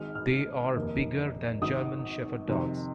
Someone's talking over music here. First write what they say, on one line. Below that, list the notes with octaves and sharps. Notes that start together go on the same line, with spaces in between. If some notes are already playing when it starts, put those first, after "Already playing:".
They are bigger than German Shepherd Dogs.
Already playing: G#1 G#2 G#3 F6
F6
F1 D#2 D#3 A#3
G#1 G#2 D#3 D#6
F2 C3 D#3